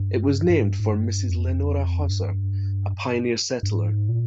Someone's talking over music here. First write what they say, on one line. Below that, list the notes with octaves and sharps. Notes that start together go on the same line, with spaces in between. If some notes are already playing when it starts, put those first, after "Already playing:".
It was named for Mrs. Lenora Hauser, a pioneer settler.
Already playing: G2
G2
G#2
G2
G#2
G2
F2
G2
G2
G#2
A#2